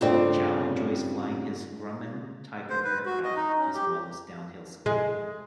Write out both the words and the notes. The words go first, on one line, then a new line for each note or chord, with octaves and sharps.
Chiao enjoys flying his Grumman Tiger aircraft, as well as downhill skiing.
G2 C#3 A3 C4 D4 F4
C5
B4
F#4
D#5
D#4
C#4
G4
G#3